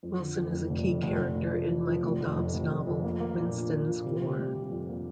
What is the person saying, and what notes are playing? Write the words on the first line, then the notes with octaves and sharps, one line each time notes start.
Wilson is a key character in Michael Dobbs' novel "Winston's War".
F2
D3
F2
F2
F1
F2
F1
F1
F1
F3
F3
F3
F1
F1
F2
F1
F2
F2
A#3
A#3
A#2
D4
A#2
A#2
C3
C3
G3
C3
F2
A#3